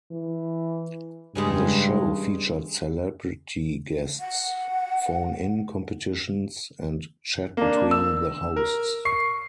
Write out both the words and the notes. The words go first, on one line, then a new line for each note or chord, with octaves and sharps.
The show featured celebrity guests, phone-in competitions and chat between the hosts.
E3
G2 C#3 G3 G#3
F#5
A#3 D4
E6
A#4
C#6 C7